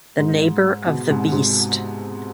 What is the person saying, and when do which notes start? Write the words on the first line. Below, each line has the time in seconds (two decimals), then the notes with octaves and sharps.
The Neighbour of the Beast.
0.19 G#2
0.86 B2
1.10 G#2 C3
1.32 G#2 C3